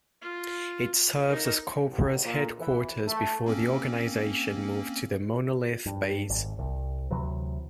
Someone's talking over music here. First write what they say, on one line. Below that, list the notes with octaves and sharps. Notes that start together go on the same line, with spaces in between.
It serves as Cobra's headquarters before the organization moved to the Monolith Base.
F4
D#4 A#4
A1
A#2
E3
A3
A#3 C4 C#4
G2
G#1
C2
D2 C3 E3 F#3